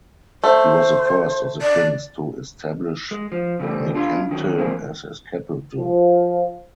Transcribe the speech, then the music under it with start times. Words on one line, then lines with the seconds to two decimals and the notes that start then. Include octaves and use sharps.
He was the first of the kings to establish Nekemte as his capital.
0.44 A3 C5
1.61 D5
3.11 G#3
3.32 F3
3.59 C#3 E3 G3 A3
3.95 D4 F4 F5 C6
4.31 D#3 F#3 C#4 E4
4.58 E3 F3 G#3 A#3 C4
5.76 F3